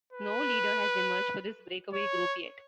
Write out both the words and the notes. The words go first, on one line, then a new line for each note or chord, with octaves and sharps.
No leader has emerged for this breakaway group yet.
B4
C#5